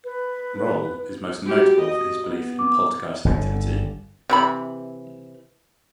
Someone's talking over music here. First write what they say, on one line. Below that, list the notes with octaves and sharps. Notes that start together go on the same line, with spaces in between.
Roll is most notable for his belief in poltergeist activity.
B4
F#4 G4
D#5
B3
D6
G1 D3
C3 E3 B5